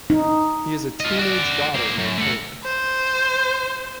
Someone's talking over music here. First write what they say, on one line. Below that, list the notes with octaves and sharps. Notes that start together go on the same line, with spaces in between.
He has a teenage daughter named Taylor.
D#4
F4 D#5
F#4 D5
A#3 C5
F#2
A3 F#5
C5